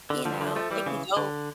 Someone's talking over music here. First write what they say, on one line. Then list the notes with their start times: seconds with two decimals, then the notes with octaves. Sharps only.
you know they can go
0.10 D3
0.25 D3 F3
0.40 D3 F3
0.56 F3 A3
0.71 E3 G3
0.86 C#3 E3
1.17 D3